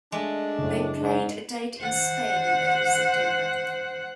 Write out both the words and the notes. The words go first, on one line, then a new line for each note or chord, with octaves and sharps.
They played a date in Spain in early September.
G#3 A3 D4
F#2 A2 C#3
G#2
C5 F#5